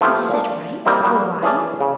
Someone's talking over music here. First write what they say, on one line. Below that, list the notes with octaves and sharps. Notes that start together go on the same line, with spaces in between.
"But is it right, or wise?"
F3 A3 B3 E4 F4 G4
A#2 D4
G3 A#3 C4 D#4 E4
G3 A#3 B3 F#4
E3 C#4 G#4 D5 A5
C#3